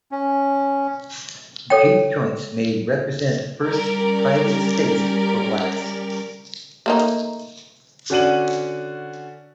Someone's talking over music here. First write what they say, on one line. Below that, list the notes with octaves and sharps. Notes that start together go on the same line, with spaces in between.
Juke joints may represent the first "private space" for blacks.
C#4
A4 C#5 G5
G3 C#4 G4 A#4 D5
A3 A#3 D#4
D3 C#4 F#4 D5 D#7 F#7